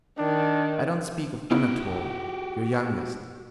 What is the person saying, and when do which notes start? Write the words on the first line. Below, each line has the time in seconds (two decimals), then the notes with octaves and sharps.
I don't speak of Anatole, your youngest.
0.19 D#3 D4
1.51 B3 D#4 E4 F#4 G4